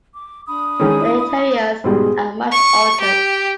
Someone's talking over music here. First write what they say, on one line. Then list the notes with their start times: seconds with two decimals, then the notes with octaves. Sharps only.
The interiors are much altered.
0.15 D6
0.48 D4 B5 D#6
0.80 D#3 G#3 C#4
1.01 E4
1.84 G#2 B2 G3 G#4 C6
2.52 C#6
3.01 G4